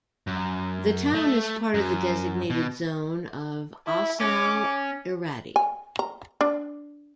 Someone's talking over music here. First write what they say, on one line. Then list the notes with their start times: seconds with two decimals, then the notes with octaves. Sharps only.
The town is part of the designated zone of Ossau-iraty.
0.27 F#2
1.14 A3
1.74 F#2
2.50 B2
3.87 E4
4.21 C#4 D6
5.56 G#5
5.99 A#5
6.41 D4